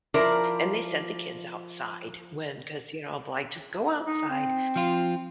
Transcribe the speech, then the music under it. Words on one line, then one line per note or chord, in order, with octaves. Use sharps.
and they sent the kids outside when 'cause, you know, like "Just go outside,
F3 E4 A#4 C5 D5 A#5
D#4
C4
F3 F4